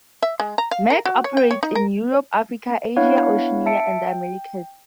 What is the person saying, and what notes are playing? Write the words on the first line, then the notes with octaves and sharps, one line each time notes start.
Merck operates in Europe, Africa, Asia, Oceania and the Americas.
E5
G#3
A#5
F5
A#4
F#4
C#5
G5
C#5
D#4
A#4
B3 D4 E4 C#5 F5 F#5
E5 A5 C#7 D7
G5